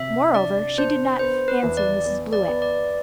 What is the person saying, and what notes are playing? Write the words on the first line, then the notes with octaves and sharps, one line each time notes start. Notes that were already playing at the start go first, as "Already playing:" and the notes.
More-over, she did not fancy Mrs. Blewett.
Already playing: C3 E5
D4 D5
D4 C5
B3 C5
B4
E2
D5
B3
D5
B3
D5